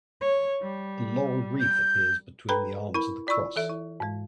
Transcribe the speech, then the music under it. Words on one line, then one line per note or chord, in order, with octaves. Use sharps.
A laurel wreath appears between the arms of the cross.
C#5
G3
G6
A4 B4 G5 A#5 B5
E4 A#4 B5
F4 D5 B5 C#6 E6
E3 A4 E5
E4
G#2 G#3